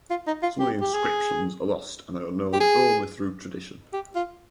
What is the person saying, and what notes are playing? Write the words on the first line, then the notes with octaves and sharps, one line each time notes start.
Some of the inscriptions are lost and are known only through tradition.
F4
D#4
F4
G4
G4
G#4
G4
G#4
G4
F4